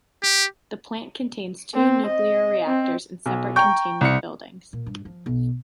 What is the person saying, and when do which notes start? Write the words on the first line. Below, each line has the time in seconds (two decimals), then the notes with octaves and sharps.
The plant contains two nuclear reactors in separate containment buildings.
0.23 G4
1.75 C4
2.07 D#5
2.67 C4
3.26 B1
3.56 G5 A#5 C#6 G6
4.01 C2 C#7
4.73 A#2
4.86 G2
5.05 F3
5.26 B1